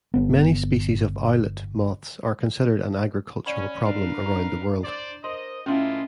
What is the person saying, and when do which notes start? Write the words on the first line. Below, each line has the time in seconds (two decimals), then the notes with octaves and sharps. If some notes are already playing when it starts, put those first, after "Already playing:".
Many species of owlet moths are considered an agricultural problem around the world.
0.14 G1 B3
3.46 C#4 D5 F#5 B5
3.85 D4 A#4 B4 F5
4.24 E4 A#5 C#6
4.84 C5 D5
5.24 A#4 C5 D#5 C6
5.66 A2 F3 G#3 A#3 C#4 E4 F4 C6